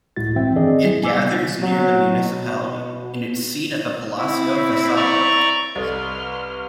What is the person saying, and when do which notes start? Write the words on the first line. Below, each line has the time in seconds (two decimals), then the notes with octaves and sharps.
It gathers near the Municipality, in its seat at the Palacio Vassallo.
0.16 C#2 A2 G#3 E4 F#4 A6
0.36 G2 E3 C4 E5 G5
0.56 D#3 C4 D4 G#4 D5 D#5
0.83 F#3 G3 E4 G#4
1.03 B3 G#5 D6 E6
1.17 C3 G3 D#4
1.61 F#3
2.11 B2
4.18 C4 E4
4.96 D5 A#5 C#6
5.75 C2 A4 B4 D5 D#5 C6 F6